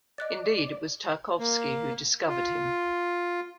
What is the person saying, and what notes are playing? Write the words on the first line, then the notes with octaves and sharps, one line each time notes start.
Indeed, it was Tarkovsky who "discovered" him.
D5 D#5 F#6 A6
A#3
F4